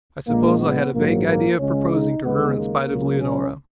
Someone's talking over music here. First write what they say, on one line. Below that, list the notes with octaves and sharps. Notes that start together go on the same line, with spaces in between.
I suppose I had a vague idea of proposing to her in spite of Leonora.
A#1 A#2 G#3 A#3
B3
A#1 G#2 F#3 A#3
A#3
C#2 C#3 G#3 C#4
D#4
D#2 C#3 G#3 B3
A#3
C#2 C#3 F#3
C#4